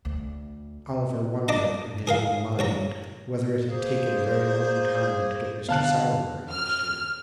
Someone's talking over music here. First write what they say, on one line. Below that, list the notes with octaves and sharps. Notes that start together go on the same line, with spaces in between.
Oliver wondered, in his own mind, whether it had taken a very long time to get Mr. Sowerberry used to it.
D2
D4 D5 D#5 A#5
G#4 A#4 F5
A1 C#5 A#5
A#3 G#4 C5
B2 D3 B3 F5 A5 F#6
F6